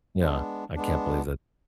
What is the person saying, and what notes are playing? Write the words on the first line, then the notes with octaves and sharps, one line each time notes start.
yeah. I can't believe that
G#3 B3 D4
G#3 B3 D4